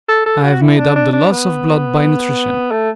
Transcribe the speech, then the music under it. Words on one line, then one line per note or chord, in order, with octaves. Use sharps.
I have made up the loss of blood by nutrition.
A4
A4
F#4
E4
D4
D4
D4
B3
A3